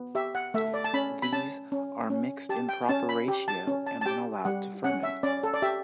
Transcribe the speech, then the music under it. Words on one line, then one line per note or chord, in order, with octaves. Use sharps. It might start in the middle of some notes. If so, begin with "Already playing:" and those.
These are mixed in proper ratio and then allowed to ferment.
Already playing: B3
G4 E5
F#5
A3 E5
D5
A5
C#4 B5
B5
C#4 A5
C#4
C#4
G4 A5
G5
C#4 A5
B5
G4
A5
C#4
A5
A5
G4 G5
G3 F#5
C#4 F#5
E5
C#4 D5
A4
D5
G4 E5